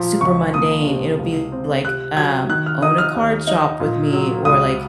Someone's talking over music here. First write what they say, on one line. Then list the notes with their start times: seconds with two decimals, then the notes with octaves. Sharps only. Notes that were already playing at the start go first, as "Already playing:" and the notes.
super mundane. It'll be, like, um, own a card shop with me or, like,
Already playing: A#2 F3
0.21 C#2 C#6
0.54 A#3 D#6
0.87 C3
1.19 C#2
1.52 C4
1.84 C3 F#6
2.17 F#3 G#6
2.50 D#3 F#6
2.66 F6
2.82 D#4 D#6
2.98 F6
3.15 D#2
3.47 D#4
3.80 A#2
4.13 F#3
4.45 C#2 D#6